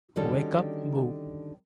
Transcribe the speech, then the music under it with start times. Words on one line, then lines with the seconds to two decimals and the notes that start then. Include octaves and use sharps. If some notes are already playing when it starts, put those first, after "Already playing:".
Wake Up Boo!
0.16 D3 D#3 G3 C#4 F#4 A4